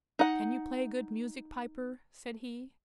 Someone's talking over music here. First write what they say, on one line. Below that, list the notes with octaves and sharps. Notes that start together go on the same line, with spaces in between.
"Can you play good music, piper?" said he.
D#4 F#5